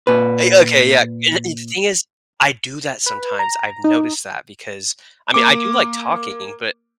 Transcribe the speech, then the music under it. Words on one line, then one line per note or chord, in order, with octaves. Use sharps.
a okay, yeah, a and the thing is, I do that sometimes, I've noticed that because, I mean, I do like talking, but,
A#2 B4
B4
A#5
D#4
A#3 D6